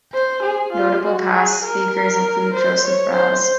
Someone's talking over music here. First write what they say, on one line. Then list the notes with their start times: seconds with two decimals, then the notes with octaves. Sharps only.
Notable past speakers include Joseph Raz.
0.14 C5
0.43 G#4
0.73 F4
1.03 F#4
1.34 G#4
1.64 A#4
2.54 C5
2.85 C#5
3.15 C5